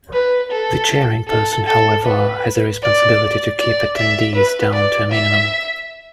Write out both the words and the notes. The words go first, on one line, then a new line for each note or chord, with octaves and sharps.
The chairing person, however, has a responsibility to keep attendees down to a minimum.
B4
A4
A4
A4
B4
D5
D5
E5
B4
D5
E5